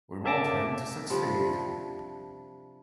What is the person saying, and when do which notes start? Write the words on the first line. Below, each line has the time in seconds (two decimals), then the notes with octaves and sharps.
We want him to succeed.
0.24 C#3 A#3 E5 A5 D6 A#6
1.10 C3 F3 G3 D4